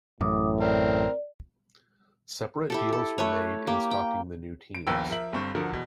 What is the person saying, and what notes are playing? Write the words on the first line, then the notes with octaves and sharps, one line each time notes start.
Separate deals were made in stocking the new teams.
A1 F#2 A2 D6 D#6
C4 A#4 D5
E4 G4 A4
A4
A3 B4 C#5
A#3 G4
G5
D7
A#1 D#2 B3 A#4 G5 E6
F3 A#4 E5 F#7
G1 G2 G3 C4 C#6
D#1 D3 F3 F#4 A4 A#4
E2 B2